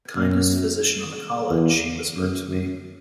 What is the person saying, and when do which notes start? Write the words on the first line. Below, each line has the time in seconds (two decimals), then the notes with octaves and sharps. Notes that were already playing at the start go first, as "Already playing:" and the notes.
"The kindest physician in the college," she whispered to me.
0.16 F#2
1.50 E2
2.16 F#2
2.50 F#2